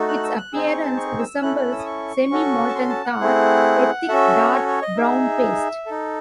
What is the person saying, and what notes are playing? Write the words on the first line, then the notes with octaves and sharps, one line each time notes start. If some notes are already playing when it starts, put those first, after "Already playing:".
Its appearance resembles semi-molten tar - a thick dark brown paste.
Already playing: A3 D#4 F#4 A4
F#6
E6
F#6
C4 D#4 G#4 E6
C#6
A5
C#6
E6
C#4 E4 A4 F#6
F#6
E6
D#6
C#6
C#4 F#4 A4
A5
C6
A5
F#5
A3 C4 E4 G#4
C#4 F#4 A4 E5
C#5
C#5
D#5
D#4 G#4 E5
D#4 A4